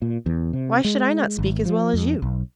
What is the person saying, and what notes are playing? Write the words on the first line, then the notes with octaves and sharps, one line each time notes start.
'Why should I not speak as well as you?
A#2
E2
C3
G#3
G#1
F3
F2
B1